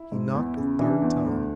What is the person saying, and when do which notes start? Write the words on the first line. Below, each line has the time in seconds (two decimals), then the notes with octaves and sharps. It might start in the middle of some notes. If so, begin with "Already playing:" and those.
He knocked a third time.
Already playing: E4
0.12 G#2
0.35 E2
0.57 C#3
0.79 E3 D4
1.02 E2
1.25 D2